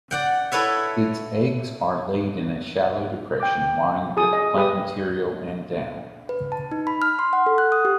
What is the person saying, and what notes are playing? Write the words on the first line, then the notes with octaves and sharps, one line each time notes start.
Its eggs are laid in a shallow depression lined with plant material and down.
D5 F#5 G5
E4 A4 B4 C#5 E5
G5 D6
G#4 D#6
D#5
G4 B4 D#6
B4
A5
D#4
B5
F6
C6
F#5
A4
F#6
D#6
G4